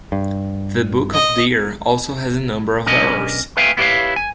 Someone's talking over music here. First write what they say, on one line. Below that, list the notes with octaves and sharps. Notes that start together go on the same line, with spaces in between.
The Book of Deer also has a number of errors.
G2
D#5
B1 C#4 D4 A#4 D#5 G#5
B4 E5 F5 G5 G#5
B3 E4 G4 B4 C#5 F5
G#5